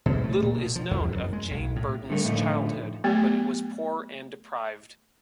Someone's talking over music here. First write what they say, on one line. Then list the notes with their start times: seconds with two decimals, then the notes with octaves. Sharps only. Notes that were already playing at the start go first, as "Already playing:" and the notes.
Little is known of Jane Burden's childhood, but it was poor and deprived.
0.06 B2
0.24 A3
0.42 A#2
0.58 B2
0.76 F3
0.91 E2
1.13 F#2
1.33 G#3
1.51 B1
1.76 A2
2.10 D3 G3 A3 A4 A#4
2.25 A2 D3 F3 A3 D#4
3.04 F#3 A3 B3 G4